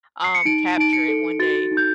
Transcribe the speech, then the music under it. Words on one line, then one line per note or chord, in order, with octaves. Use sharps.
um, capture it one day
C7
C#7
D#4 D7
D#4 D7
C#7
A4
F#4 A6
D#4
G6